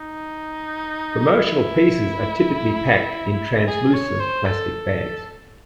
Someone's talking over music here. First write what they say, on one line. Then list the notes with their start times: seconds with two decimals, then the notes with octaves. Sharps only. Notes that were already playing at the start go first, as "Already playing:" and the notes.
Promotional pieces are typically packed in translucent plastic bags.
Already playing: D#4
1.33 E4
3.67 G#4
3.94 C#5
4.20 C5
4.46 A4